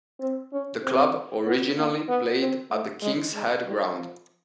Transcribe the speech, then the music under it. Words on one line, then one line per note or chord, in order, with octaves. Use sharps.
The club originally played at the King's Head Ground.
C4
C#4
C4
B3
A#3
B3
C4
A3
G#3
G#3
G3
F3